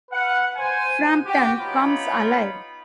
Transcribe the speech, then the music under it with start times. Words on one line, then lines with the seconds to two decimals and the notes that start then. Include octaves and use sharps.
Frampton Comes Alive!
0.11 B4 F5 F#5
0.56 C5 G#5
1.25 F#4 G4
1.59 B3 D#4 F4 C#5 B5